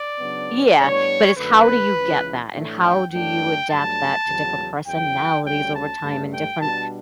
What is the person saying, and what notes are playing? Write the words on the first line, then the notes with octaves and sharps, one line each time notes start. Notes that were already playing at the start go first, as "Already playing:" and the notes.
yeah, but it's how do you get that? And how do you adapt that to different personalities over time and different,
Already playing: D5
C#3 F#3 B3 D4
A2 G3 B3 D4 C#5
F#2 D3 A3 B4
C#2 C#3 E3
A2 E3 A3 D4
G5
F#2 E3 A3 D4 G5
G2 F#3 A3 D4 A5
E2 C#3 F#3
E2 C#3 F#3 G5
D2 D3 G3 C#4 G5
A5
G2 D3 A3
G5
B2 G3 D4 A5